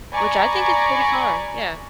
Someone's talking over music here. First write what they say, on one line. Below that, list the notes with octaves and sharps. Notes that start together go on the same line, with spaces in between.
which I think is pretty far. Yeah.
D5 G#5 A#5 B5 C#6